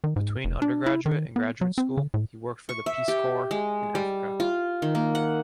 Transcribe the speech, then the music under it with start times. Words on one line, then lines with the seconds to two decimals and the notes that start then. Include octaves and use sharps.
Between undergraduate and graduate school he worked for the Peace Corps in Africa.
0.04 D#3
0.16 G#2
0.45 F1
0.62 D4
0.86 E4
1.06 D#3
1.36 B3
1.61 F#3
1.78 C4
1.97 D3
2.14 A2
2.69 C#6
2.86 E5
3.08 G4
3.51 G#3
3.95 G3
4.40 F4
4.82 D#3
4.95 A#3
5.15 F#5